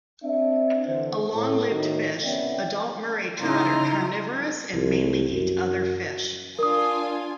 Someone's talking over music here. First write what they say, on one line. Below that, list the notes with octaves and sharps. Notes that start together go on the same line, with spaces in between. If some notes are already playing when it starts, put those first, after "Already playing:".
A long-lived fish, adult Murray cod are carnivorous and mainly eat other fish.
C4 D4 E5
D3 E3 C5
A2
A2 D#3 F#4
C2 B3 C#4 D5 E5 G5
C#3 D#4 E4 D#5 A#5 C6
C2
F#2
D4 F4 A#4 G#5 D#6